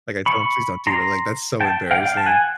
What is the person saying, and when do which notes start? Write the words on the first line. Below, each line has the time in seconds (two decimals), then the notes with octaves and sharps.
Like, I tell him, "Please don't do that. Like, that's so embarrassing."
0.26 B5 C#6
0.87 A#5 C6
1.61 G5 A5
1.91 F5 G5
2.05 F5 G5
2.17 A5
2.26 F#5 G#5